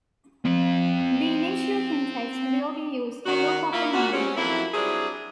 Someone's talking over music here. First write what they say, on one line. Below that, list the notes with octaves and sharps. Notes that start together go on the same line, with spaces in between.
The initial context will be used to look up a name.
C4 F5
D#3 F#4
A#3 E4 F4
A#2 F#4
G3 G#3 C4 C#4
F2 F#3 A#3 E4
F#3 G3 C4 D4 E4 G#4